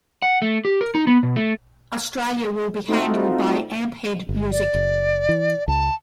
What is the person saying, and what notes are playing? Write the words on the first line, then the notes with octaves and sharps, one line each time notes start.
Australia will be handled by AmpHead Music.
F#5
A3
G4
A#4
D#4
B3
B2
A3
A3 C4 D#4 F4 F#4
G1
D5
F#1
E3
C#2 A5